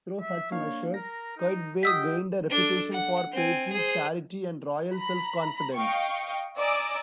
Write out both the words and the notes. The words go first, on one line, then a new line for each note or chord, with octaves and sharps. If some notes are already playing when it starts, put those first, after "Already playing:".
Through such measures Qaitbay gained a reputation for piety, charity, and royal self-confidence.
E5
A#3 D4 C#5 F5
A#4 A#6
D#4
G4 D#5 F#5 G5 D#6 E6 B6
D4 A4
F#5
C4 G#5
G#4 C5
A#5 B5
D#5 F5 G5 C#6
D5 D#5 G#5 A#5 D6 E6